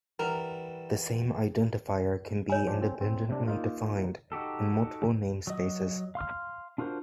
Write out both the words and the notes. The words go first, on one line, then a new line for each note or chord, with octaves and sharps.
The same identifier can be independently defined in multiple namespaces.
E3 G3 F#4 A#4
C#5 G#5
F3 D4
C4
C4
C3 D4
A#3 D#4 F4
D#4 F#4 G4 A4
F#3 D#5
F5 C6 F6
D4 F4 F#4 A#4 C5